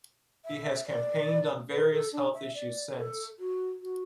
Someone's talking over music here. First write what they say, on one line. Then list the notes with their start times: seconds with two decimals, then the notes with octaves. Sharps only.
He has campaigned on various health issues since.
0.45 E5
0.87 D5
1.71 B4
1.92 A4
2.13 D4
2.34 E5
2.55 D5
2.97 A4
3.39 F#4
3.81 F#4